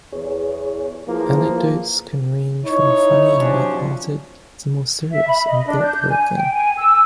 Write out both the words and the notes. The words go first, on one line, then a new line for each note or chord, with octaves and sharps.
Anecdotes can range from funny and light-hearted to more serious and thought-provoking.
E2 G#4 C#5
F3 A#3 E4 G#4 B4
D#4 E4 C#5
C3 F3 F#3 C#4 D4
E5
B5
D#5
D4
G6
G#5
G5
G#5
E6